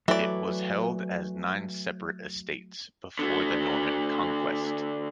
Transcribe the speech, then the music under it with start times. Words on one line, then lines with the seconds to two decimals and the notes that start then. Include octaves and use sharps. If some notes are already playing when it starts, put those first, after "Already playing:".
It was held as nine separate estates before the Norman Conquest.
0.08 E3 F#3 A3 D5
3.19 D3 F#4